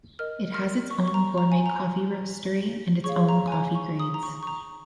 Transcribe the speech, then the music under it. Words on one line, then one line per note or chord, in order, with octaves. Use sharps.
It has its own gourmet coffee roastery and its own coffee grades.
A#4 D#5 F6
F6
C#6
C#6
A#5
A#5
G#5
A#5
G#4 C#5 F5 C#6
A#5
G#5
A#5
C#6
D#6
A#5
C#6
C#6
A#5